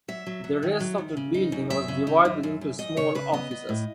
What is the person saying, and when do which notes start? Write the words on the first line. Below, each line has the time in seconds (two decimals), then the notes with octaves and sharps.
The rest of the building was divided into small offices.
0.08 F#3 E5
0.27 F#3
0.44 F#3
0.63 D#3
0.80 F#3
0.98 D#3
1.17 C#3
1.34 D#4
1.52 F#2
1.70 F#2 E5
1.88 C#3
2.07 D#4
2.25 F#2
2.43 F#2
2.61 F#2
2.79 F#2 D#5
2.97 C#3 C#5
3.15 C#3 B4
3.32 B3 D#5
3.51 B3
3.69 A2